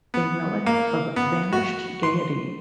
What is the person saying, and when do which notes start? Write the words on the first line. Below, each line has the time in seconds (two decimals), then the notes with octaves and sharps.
A relic of vanished gaiety!
0.14 B3
0.66 A#3
1.16 B3
1.53 F#4
2.03 C6